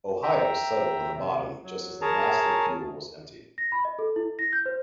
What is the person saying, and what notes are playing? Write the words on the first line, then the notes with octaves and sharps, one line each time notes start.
"Ohio" settled on the bottom just as the last of the fuel was emptied.
E5 G5 A#5
C3
F#3
G#4 A#4 C#5 A5 A#5
A#6
B5
D#5
A4
E4
A#6
G6
C5